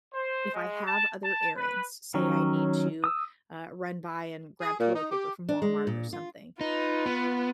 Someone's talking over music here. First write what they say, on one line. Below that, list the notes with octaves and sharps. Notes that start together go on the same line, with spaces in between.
if I have other errands, say I need to, uh, run by and grab toilet paper from Walmart or something.
C5
G#3
A5
A5
B4
D#3 F#3 C#4
D#6 E6
G#4
A#2
D#4
G4
D4
G#3
A#2
F4
D#4 F4 B4
B3